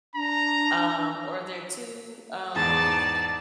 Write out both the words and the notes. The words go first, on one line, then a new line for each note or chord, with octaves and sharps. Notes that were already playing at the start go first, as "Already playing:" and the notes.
um, or they're too, um,
D4 A#5
E2 G#2 D#4 G#4 D5 A5 A6